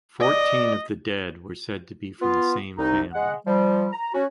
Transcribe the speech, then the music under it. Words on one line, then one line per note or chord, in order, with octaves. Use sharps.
Fourteen of the dead were said to be from the same family.
D5 D#5
B3 F4
C2 D#4
G#3 F#5
F3 G3
A#5
C#4 F#4